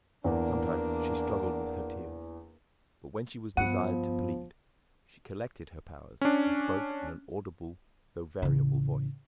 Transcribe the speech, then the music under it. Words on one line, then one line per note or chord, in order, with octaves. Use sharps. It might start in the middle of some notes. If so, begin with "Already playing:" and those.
Sometimes she struggled with her tears, but when she was desired to plead, she collected her powers and spoke in an audible although variable voice.
E2 A#3 D4
G2 F3 B3 F#5
C#4 D4
A1 C#3